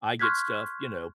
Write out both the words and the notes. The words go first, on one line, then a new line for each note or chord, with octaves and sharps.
I get stuff, you know
C6 C#6 F6 F#6 G#6 B6